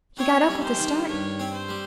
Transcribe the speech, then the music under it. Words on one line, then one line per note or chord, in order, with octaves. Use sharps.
He got up with a start.
C4 C#5
G3
C5
D#3
G2 C#5
C4
C5
G3